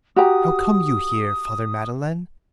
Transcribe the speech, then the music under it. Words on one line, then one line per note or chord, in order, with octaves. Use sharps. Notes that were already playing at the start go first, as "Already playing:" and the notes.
How come you here, Father Madeleine?
F#4 G4 A#5 D#6